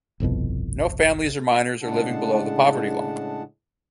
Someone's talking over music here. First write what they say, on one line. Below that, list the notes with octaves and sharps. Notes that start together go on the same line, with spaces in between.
No families or minors are living below the poverty line.
G1 C2 F2 B2
A2 C#3 G#3 D4 F#5 A5